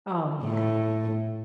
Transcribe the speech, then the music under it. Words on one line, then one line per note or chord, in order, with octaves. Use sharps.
Oh, yeah.
A2